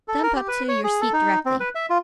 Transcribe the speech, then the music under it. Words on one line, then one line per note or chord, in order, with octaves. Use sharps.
Jump up to your seat directly.'
A4
A#4
G4
B4
C#5
G#4
A4
D#4
C4
B4
E5
F4